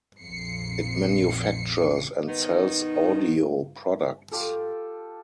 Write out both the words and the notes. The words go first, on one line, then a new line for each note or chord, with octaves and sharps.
It manufactures and sells audio products.
A#1 F2 C7 C#7
D#3 B3 D#4
F4 G4 A4